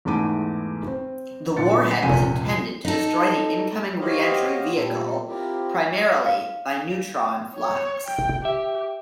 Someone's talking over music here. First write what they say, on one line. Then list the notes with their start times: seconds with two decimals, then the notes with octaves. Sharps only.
The warhead was intended to destroy the incoming reentry vehicle primarily by neutron flux.
0.05 E2 G#2 A3 E4 D6 D#7
0.87 C4
1.57 A#2 D3 A6 C#7
2.02 F1 C#2 A#2 G#5 B6 D#7
2.85 D#4 A4
4.00 F#4 G4 C5 C#5 D#5 F5
4.75 A#2 G3 A3 C4 A4
5.28 C4 E4 F4 G4 A#4
6.26 F5
7.56 C#5
8.07 G5
8.45 G4 E5